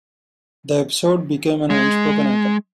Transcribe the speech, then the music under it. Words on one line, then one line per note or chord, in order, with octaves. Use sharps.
The episode became an unspoken item.
G#3